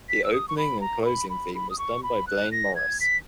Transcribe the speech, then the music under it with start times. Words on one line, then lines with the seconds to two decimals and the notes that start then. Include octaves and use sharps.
The opening and closing theme was done by Blain Morris.
0.09 B6
0.24 E6
0.33 D#6
0.48 C#6
0.58 B5
0.81 A#5
1.02 C#6
1.05 B5
1.30 B5
1.55 B5
1.70 D#6
1.79 C#6
2.03 B5
2.27 F#6
2.52 A#6
2.76 G#6
3.00 B6